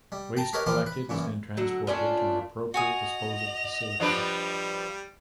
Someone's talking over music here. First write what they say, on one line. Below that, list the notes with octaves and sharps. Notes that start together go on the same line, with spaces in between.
Waste collected is then transported to an appropriate disposal facility.
G3
G5 A5 A#5
G4 A#4 B4 C#5 D#5
E3 F3 F4 G4 D#6
B4
F#2 A#2 E3
D3 F#3 F#5
A3 C#4 D4 F4
F#4 D#5 G#5 D#6 F7
F3 G3 D4 B4